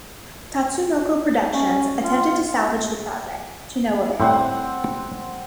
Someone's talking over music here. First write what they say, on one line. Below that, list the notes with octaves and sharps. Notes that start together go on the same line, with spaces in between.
Tatsunoko Productions attempted to salvage the project, to no avail.
C#4
F4
A2 G3 C4 C5 F#5